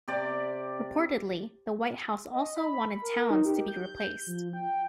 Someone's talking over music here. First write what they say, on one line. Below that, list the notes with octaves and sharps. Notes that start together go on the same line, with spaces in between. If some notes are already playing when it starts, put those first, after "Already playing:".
Reportedly, the White House also wanted Towns to be replaced.
C3 G4 D5 D6
D#5
B5
A#4
D#4
G4
G6
F3
G5